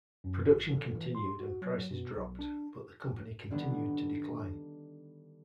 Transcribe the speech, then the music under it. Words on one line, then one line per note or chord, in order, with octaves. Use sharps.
Production continued and prices dropped but the company continued to decline.
F#2
G#1
D3
E3
C6
F#4
F#3
B2
B1
D4
D3 D#3 G3 B3 D4